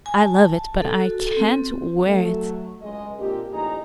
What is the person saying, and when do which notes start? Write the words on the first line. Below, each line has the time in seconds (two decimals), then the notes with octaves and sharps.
I love it, but I can't wear it.
0.06 G#5
0.19 A5
0.82 A4
1.01 F#4
1.20 A4
1.37 C4
2.06 F#3 A3
2.82 C#2 G#3 D#5
3.19 A#2 A#3 C4 D4 G4
3.52 A1 G3 D#4 G#4 D#5 A#5